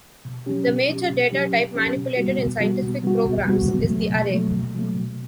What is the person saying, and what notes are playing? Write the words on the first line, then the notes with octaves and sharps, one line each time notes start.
The major data type manipulated in scientific programs is the array.
B2
F#3 C#4 G4
B2
F#3 C#4 G4
B2
F#3 C#4 G4
B2
F#3 C#4 G4
B2
G3 B3 F#4
B2
G3 B3 F#4
B2
G3 B3 F#4
B2
G3 B3 F#4
B2
F#3 A3
B2
F#3 A3
B2
F#3 A3
B2